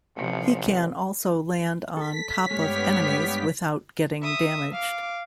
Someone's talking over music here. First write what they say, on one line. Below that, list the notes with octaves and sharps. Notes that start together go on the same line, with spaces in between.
He can also land on top of enemies without getting damaged.
A1 C3 F3
A4 B6
G2 G#3 A3 B3 G4 C#5 F6
E5 D#6
F5 D6